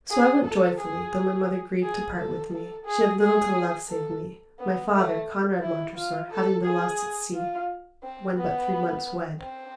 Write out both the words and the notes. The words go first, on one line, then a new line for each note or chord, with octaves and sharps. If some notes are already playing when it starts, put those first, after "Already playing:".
So I went joyfully though my mother grieved to part with me; she had little to love save me, my father, Conrad Montressor, having been lost at sea when but three months wed.
G#4
A4
G#4
G#4
A4
A4
G#4
G#4
A4
B3
A3
E4
F4
A4
G#4
F4
C4
B3
C4